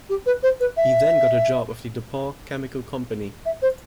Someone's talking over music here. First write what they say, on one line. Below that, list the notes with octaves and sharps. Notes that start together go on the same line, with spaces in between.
He then got a job with the DuPont chemical company.
G4
B4
C5
B4
E5
E5
C5